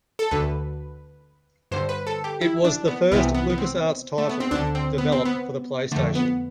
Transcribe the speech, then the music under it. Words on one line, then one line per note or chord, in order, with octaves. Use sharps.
It was the first LucasArts title developed for the PlayStation.
A4
D2 D3 B4
G2 D3 C5
B4
A4
G4
E4
D4
B3
C2 C3 E3 B3
B3
B3
C4
A3
B3
C4
D2 D3 D4
C4
B3
C4
B3
F2 D3 A3
B3